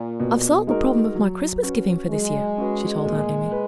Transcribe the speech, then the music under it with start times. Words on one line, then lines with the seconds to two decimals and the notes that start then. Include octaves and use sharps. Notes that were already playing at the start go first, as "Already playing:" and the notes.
"I've solved the problem of my Christmas giving for this year," she told Aunt Emmy.
Already playing: A#2
0.20 B2
0.67 G#3 D#4 F#4 A#4
1.15 F#3
1.63 C#4 F#4 B4
2.09 F#3 G#3
2.58 C#4 F#4 B4
3.05 A#2
3.52 B4